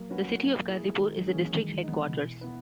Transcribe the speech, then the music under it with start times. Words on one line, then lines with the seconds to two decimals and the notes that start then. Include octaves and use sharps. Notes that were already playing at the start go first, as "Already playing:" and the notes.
The city of Ghazipur is the district headquarters.
Already playing: F#3 A#3
0.10 C#4 F#4 B4
0.39 A#3
0.68 E4 G#4
0.97 D#3 G#3
1.16 F#3
1.26 A#3 C#4 G#4
1.35 E3
1.54 D#3 G#3
1.83 B3 D#4
2.07 C#3
2.13 B2 E3
2.41 B3 E4 B4